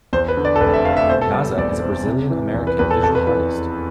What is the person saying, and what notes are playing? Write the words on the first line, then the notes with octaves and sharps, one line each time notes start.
Naza is a Brazilian American Visual Artist.
E2 C5
B4
D3
D5
A4
F1 B4
E5
A3 F5
E5
B2 C5
A4
G3 A4
E2 D5
C4
C3
E3
E2
B4
E2 B4
A4
F2 A4
B4
E3 B4